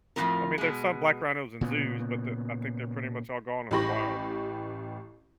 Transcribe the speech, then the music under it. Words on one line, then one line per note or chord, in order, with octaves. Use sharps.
I mean, there's some black rhinos in zoos, but the I think they're pretty much all gone in the wild.
F2 A2 D3 C4 F4 A#4
B2 G#3
A#2 C#3 B3
A1 E3 G4 B5 C#6 A#6